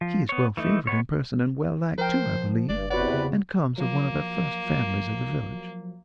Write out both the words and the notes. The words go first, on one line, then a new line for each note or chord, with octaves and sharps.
He is well favored in person, and well liked, too, I believe, and comes of one of the first families of the village.
F3
B3 C#5
E3 A3 D#4
G#3 B3 C#5
F3 A#4 C5 G5
F#1 G2 D5
E2 C3 F#4 B4 C#5 D5 F#5
C#3
F3 F#3 A#3